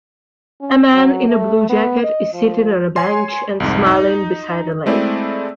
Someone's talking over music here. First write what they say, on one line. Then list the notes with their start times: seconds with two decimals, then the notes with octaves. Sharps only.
A man in a blue jacket is sitting on a bench and smiling beside a lake.
0.61 C#4
0.93 F#3
1.28 A3
1.69 B3
2.03 D#5
2.33 F3
2.96 C#5 G#5 C6
3.60 C2 F2 G#2
3.87 D#4
4.86 G#3 A3 C4 E4 D5